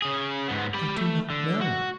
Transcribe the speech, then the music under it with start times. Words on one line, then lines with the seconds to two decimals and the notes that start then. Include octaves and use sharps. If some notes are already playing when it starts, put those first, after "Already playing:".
"I do not know."
0.02 C#3 G#4
0.48 G#2 B3
0.74 G4 B5
0.97 A3
1.30 D3
1.61 F#4